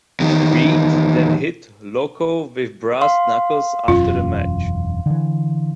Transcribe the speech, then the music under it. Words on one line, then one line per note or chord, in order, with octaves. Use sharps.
Reed then hit Loco with brass knuckles after the match.
E2 D#3
F5 C6
E1 F#2 C#4 F4
D3 E3